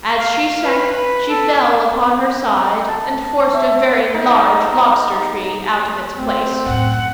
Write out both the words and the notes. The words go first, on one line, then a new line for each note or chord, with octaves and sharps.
As she sank she fell upon her side, and forced a very large lobster-tree out of its place.
F5
B4
B4
A4
A5
E5
D#4
A#5
A3 C4
F#2 A2 F#5